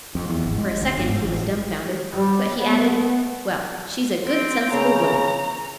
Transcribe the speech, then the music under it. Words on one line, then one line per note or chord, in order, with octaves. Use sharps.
For a second he was dumbfounded; but he added, "Well, she's a good, sensible woman."
F2
E2
G#1
G#3
D2
G1
G#2
A1
G3
B3
C4 G5
C#3 A#5